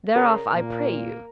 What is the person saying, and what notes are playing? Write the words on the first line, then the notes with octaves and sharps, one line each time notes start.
Thereof I pray you.
C#3 A#4
A#2 A#3